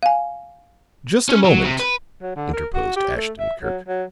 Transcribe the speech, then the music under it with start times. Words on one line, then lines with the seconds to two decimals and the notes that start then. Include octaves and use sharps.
"Just a moment," interposed Ashton-Kirk.
0.03 F5 G#5
1.29 C#4
1.44 F#3
1.64 C3
1.79 B4
2.22 F#3
2.36 D3
2.53 A#4
2.74 F#4
2.96 G4
3.16 A3
3.39 E5
3.62 F#3
3.88 F#3